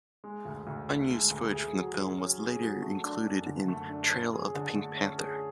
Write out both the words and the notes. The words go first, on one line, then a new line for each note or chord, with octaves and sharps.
Unused footage from the film was later included in "Trail of the Pink Panther".
G#3
D2
D2
D3
G#3
D2
G#4
F#3
F#3
C#4
G#4
F#3
A3
D4
F#2
D3
A3
D4
C#4
G#4
D3
A3
C#4
G#4